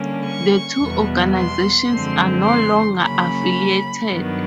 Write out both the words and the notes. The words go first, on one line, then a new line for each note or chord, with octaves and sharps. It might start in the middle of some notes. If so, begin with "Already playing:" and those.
The two organizations are no longer affiliated.
Already playing: D3 G3 A#3 C#4
C#6
E2 B2 G3 B3
C6
F#2 D3 F3 G#3 C4
C6
C#3 F#3 A#3 C#4 B5
G2 D#3 F#3 B3 D4